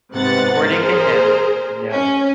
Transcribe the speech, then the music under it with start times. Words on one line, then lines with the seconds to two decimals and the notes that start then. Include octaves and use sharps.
According to him, no.
0.12 G#2 C3 B3 F#5 A6
0.66 G#4 A#4 C5
1.93 C#4